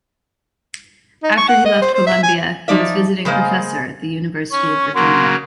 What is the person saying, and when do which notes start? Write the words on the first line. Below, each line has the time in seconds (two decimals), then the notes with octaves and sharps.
After he left Columbia, he was Visiting Professor at the University of Virginia.
1.23 D#4
1.37 C#6
1.48 F#5
1.65 D#5
1.81 C5
1.94 C5
2.06 E5
2.23 G#5
2.68 F3 D#4 D5 E5
3.25 C#3 G#3 A#3 C5
4.52 C#4 C#6
4.95 C#3 F#3 A#3 C6